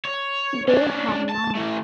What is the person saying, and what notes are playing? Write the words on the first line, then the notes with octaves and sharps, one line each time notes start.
They had not.
C#5
C#4 D4
A5
E3 A3